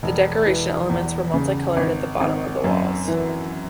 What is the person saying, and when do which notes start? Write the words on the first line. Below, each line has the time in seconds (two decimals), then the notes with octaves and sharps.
The decoration elements were multicoloured at the bottom of the walls.
0.03 E1
0.46 E3
0.89 E2
1.34 C#3
1.77 G#1
2.21 G#1
2.64 F#2
3.08 E3